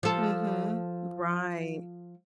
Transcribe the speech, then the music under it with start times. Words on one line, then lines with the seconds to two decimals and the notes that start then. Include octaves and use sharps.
Mhm. Right.
0.03 F3 A4